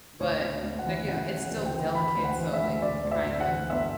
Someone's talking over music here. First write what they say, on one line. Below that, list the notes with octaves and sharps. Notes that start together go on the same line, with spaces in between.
but like, you know, it's still delicate, so it kind of
D2 C#5
D2
D2
F#5
E3
C#3 F#5
E3
F#5
D2
G5
E3
E3 B5
D2
F#5
E3
E5
D2
D2 D5
D2
E5
D2
F#5
E3
G1 E5